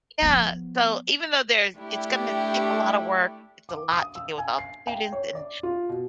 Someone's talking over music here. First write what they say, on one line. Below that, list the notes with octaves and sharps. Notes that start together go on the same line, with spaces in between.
yeah, so, even though there's it's gonna take a lot of work it's a lot to deal with all the students and
F3 B3
A3 D4 E4 G4
D6
D#6
E6
G#5
C7
G5
C#5
D5
F4
B2